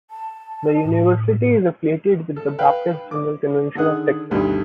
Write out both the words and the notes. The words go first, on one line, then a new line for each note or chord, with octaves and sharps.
The university is affiliated with the Baptist General Convention of Texas.
A5
A2
A4
B4 F5 G5
D6
D3 D#3 G#4 F#5 D#6 F#6
D2 G2 B2 D3 D#3